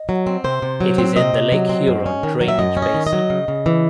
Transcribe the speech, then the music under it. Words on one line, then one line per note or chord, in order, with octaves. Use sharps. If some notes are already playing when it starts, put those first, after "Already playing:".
It is in the Lake Huron drainage basin.
Already playing: D#5
F#3
C4
C3 C5
C3
F#3
C4
C3 D#5
C3
F#3
C4
F#2
C#4
D#3
F#3
E5
F#2 D#5
C#4
D#5
D#3
D#5
F#3
C#3
C#3
E3